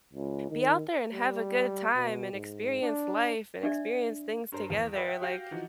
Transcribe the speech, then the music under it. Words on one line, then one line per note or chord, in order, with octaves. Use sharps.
be out there and have a good time, and experience life and experience things together. Like,
C#2
D#3
G3
B2
G#2
D4
D4 D5 E5
G2 A#4 C5
E2
B4 D5 E5 F#5 G5
E5 F#5 G5
F#4 G4 F5 G5 G6 A#6
E3 F3 D#4 F#4